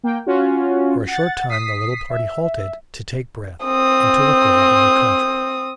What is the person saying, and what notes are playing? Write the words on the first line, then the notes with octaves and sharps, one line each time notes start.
For a short time the little party halted to take breath and to look over the new country.
A#3 G5
C#4 F4 F#4
F#5 A6
D#6 B6 C7
E5
C4 D#6